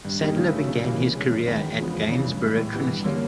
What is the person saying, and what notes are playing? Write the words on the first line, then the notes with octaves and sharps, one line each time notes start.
Sadler began his career at Gainsborough Trinity.
G2
D#3 G3 A#3 D#4
C#3
F#3 A3
C#3
E3 G3 A#3
B2
G#3 C#4
F#2
D#3 G#3 B3
E2
C#3 F3 G#3 B3
F2
C#3 E3
G2
E3 G#3
A2
E3 G3 B3
G2
D3 G3 A#3 C#4